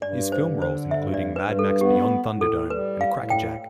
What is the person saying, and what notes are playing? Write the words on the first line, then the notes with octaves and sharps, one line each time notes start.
His film roles including Mad Max Beyond Thunderdome and Crackerjack.
G2 D5
C5
D3
C5
G2 E5
D5
G2 B4
A4
B3 G4
A2
A4
G3 B4
F5
A2
G5